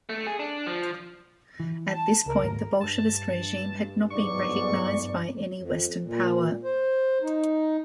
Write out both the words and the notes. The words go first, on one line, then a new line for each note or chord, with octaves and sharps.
At this point, the Bolshevist regime had not been recognized by any Western power.
A3
G#4
D4
F3
E3
A5
C#2 A#4
D#2 G#2 A3
G2 A5
B1 E2 G#2 D5 C#6
F2
A#2
C5
D#4